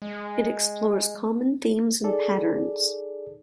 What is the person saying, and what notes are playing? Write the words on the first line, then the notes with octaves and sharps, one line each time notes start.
It explores common themes and patterns.
G#3
D#4 G#4 A4 D5